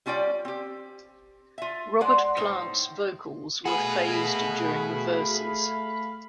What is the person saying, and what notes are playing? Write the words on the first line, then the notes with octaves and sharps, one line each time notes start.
Robert Plant's vocals were phased during the verses.
G3 C#4 F4 D5 G5
C4 G4
F4 E5
G#3 C5 D5 F#5
A2 D#4 C5
A3 F#4 G#4 B4 F5 B5